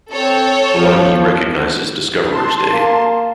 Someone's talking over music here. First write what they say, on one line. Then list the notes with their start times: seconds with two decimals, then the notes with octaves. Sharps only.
Hawaii recognizes Discoverer's Day.
0.12 C4 A4 C#5
0.75 F3
2.33 A5 C6
2.73 A#3